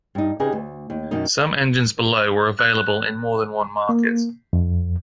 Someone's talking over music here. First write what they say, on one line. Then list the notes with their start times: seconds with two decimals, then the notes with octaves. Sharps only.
Some engines below were available in more than one market.
0.15 G2 D#4
0.40 C#3 D#4 G4 G#4 B4 D#5
0.52 D2
0.90 D#2
1.11 F#2 B2 D#3 B3 D#4
2.59 F#6
3.89 A#3
4.53 F2